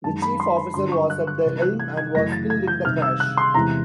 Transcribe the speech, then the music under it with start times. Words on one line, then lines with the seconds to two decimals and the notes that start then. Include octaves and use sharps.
The chief officer was at the helm, and was killed in the crash.
0.04 F#2 D#3 G#3 A5
0.22 B5
0.40 C6
0.56 B5
0.74 G2 D3 F#3 C6
0.92 C#6
1.10 F#6
1.27 F#6
1.44 C3 E3 G3
1.62 F#6
1.80 G#6
1.97 G#6
2.15 F#2 C#3 E3 A3 A#6
2.32 A6
2.50 G#6
2.68 G6
2.84 C3 D#3 G3 F6
3.02 E6
3.20 F#6
3.37 C6
3.54 E2 C3 E3 G#3 A#5